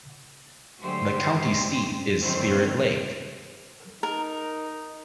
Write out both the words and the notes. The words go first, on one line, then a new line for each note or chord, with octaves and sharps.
The county seat is Spirit Lake.
D3 F#3 G#3 A3 G4 C5
F#2 D3 D#3 F#3 C4 C5
D#4 A#4